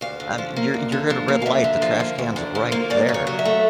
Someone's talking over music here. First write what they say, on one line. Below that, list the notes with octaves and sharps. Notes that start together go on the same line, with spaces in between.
Um, you're you're at a red light, the trash can's right there.
D2 F5
D3
F3
A#3
D2
D3
F3
A#3
F5
D2 E5
D3
F3
A#3
D2
D3
F3
A#3
F#2 D5
C#3
C#5
F#3
E5
A3